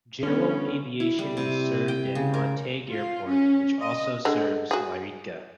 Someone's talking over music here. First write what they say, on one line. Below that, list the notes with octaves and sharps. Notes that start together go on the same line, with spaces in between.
General aviation is served at Montague Airport, which also serves Yreka.
D3 G3 A3 B3 C#4
E4
G3
C3
G5
C#3
A#4
F4
C#4
D#5
D3 G#3
F#4 G#4